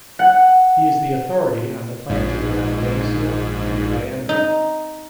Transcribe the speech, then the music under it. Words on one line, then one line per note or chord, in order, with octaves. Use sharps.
He is the authority on the plant genera "Banksia" and "Dryandra".
F#5
A#1 G#2
D#4